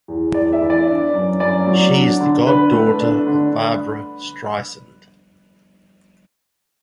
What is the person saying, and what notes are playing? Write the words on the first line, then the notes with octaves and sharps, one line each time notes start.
She is the god-daughter of Barbra Streisand.
E2
E2 D5
E5
E3
D5
D4
F#2
F#2 D5
F#3
D4
D3
D3 B4
A3
D4
D3